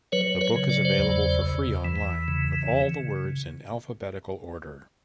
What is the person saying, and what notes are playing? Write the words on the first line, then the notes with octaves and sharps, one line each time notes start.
The book is available for free online, with all the words in alphabetical order.
F#3 B4 C#5
B4 C#5
C#3
D5
C5 D5
E2
E2
E3
C#3